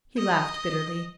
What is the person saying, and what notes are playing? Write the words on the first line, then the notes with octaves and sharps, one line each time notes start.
He laughed bitterly.
D#5